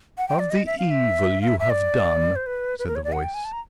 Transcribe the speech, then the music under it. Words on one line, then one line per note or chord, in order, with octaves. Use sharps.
"Of the evil you have done," said the voice.
F#5
G5
D5
D#5
E5
F5
E5
F5
E5
E5
D5
C5
B4
B4
A#4
C#5
D5
F#5
G5
G#5
A5
A#5